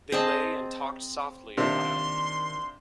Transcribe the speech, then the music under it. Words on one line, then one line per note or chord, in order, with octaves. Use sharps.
They lay and talked softly awhile.
C4 G#4 D#5 A5
C3 D#3 A#3 D4 F4 C6